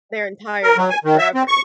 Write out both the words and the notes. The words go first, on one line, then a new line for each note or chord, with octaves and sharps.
their entire life, forever.
A#4
F#3
G#5
D#3
E5
C4
C#6